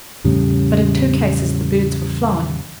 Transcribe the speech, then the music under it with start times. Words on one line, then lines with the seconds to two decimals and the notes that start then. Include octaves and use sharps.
But in two cases the birds were flown.
0.24 E2 A2 C#3 G3